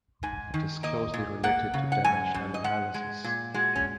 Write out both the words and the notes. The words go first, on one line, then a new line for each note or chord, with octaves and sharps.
It is closely related to dimensional analysis.
G#2 G#5
D#3
A#3 D#5
A#2
A#3 F#5
C#3
F#5
F#2 G#5
F#2
D#5
G#3 F#5
G#3
A#2
G#3 F#4
C#4